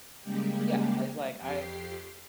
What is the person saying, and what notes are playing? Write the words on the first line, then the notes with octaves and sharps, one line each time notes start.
Yeah as, like, I
C#3 G3 G#3 A#3 G4
F2 G4 C7